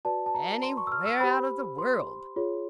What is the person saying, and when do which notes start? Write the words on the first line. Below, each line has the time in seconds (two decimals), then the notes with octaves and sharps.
"Anywhere out of the world."
0.05 F#4 B4 D5 A5
0.26 A5
0.34 A#5
0.63 C6
0.77 C#6
0.87 E6
0.92 F6
1.06 E6
1.20 G4 C5 B5
1.78 C6
2.36 F4 G#4 C#5